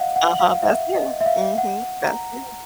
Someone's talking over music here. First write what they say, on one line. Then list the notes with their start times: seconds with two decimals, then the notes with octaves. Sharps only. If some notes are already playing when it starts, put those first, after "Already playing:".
Uh-huh, that's him. Mhm. That's him.
Already playing: D#5 F5 F#5
0.16 F#5
0.39 F5
0.62 E5
0.95 D#5
1.21 E5
1.26 F5
1.58 F#5
2.04 A#5